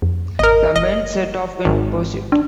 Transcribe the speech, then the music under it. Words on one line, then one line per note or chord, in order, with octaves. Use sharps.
The men set off in pursuit.
F2
G#1 A#4 D#5
F#1 D#5
G#1
D4